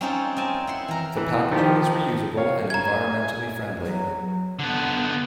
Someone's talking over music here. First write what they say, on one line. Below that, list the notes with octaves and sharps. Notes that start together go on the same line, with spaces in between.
The packaging is reusable and environmentally friendly.
C4 C#4 D#4 F4 G#4 A4
C4 A#4 G#5 A5
E4 F#5 C6
E3 A#4
E3
D#3 F3 G4
C#5 F5
G#5 A#5 G#6
F#3
D3 B3